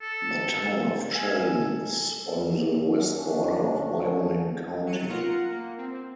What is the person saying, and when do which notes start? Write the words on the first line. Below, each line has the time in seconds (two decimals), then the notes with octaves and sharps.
The Town of Sheldon is on the west border of Wyoming County.
0.02 A4
1.11 A4 G#5
3.17 C#4 D4
4.85 E2 F#3 C#7 D#7
5.09 F4 A#4 F#5
5.51 A#3
5.78 C4
5.94 C4